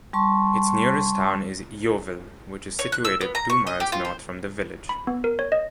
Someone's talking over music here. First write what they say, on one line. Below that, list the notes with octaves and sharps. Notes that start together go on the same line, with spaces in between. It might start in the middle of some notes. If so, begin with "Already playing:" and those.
Its nearest town is Yeovil, which is situated two miles north from the village.
G3 A5 C6 C#6
C#5
F#6
E6
B3
A#5
C#6
D#5
G4
F4
C5
B5
B3
A#4
C#5
D#5